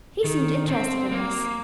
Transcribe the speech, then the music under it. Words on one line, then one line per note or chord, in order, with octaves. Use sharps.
He seemed interested in this.
D#3
C4
A#3